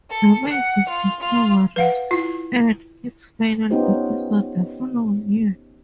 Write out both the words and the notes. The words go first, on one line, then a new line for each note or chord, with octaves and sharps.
"Amazing Discoveries" aired its final episode the following year.
A4
F#5
F4
F4
B4 F5 F#5
E4 F4
B3 C#4 D#4 F4 G4 C5